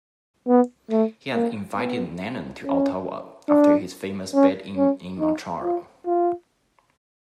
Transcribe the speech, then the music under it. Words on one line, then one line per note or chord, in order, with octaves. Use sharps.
He had invited Lennon to Ottawa after his famous "bed-in" in Montreal.
B3
A3
A#3
B3
C#4
D4
C#4
C#4
D#4
F4
F4